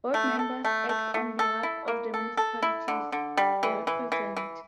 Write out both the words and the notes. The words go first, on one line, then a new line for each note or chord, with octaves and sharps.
Board members act on behalf of the municipalities they represent.
A3
A4
A3
A3
A3
A4
E4
A#3
A4
A4
E4
D3
D3
G3
E3
E3
E3
E3